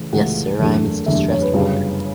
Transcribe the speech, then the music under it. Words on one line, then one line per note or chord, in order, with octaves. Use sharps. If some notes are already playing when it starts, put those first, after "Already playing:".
Yes, sir, I am his distressed mother.
Already playing: C#3 E3 A3
C#2 C#3 E3 A3 F#5
F#1 E2 D3 A3
F#1 E2 D3 A3 E5
C#5
B4
G1 F#2 C#3 G3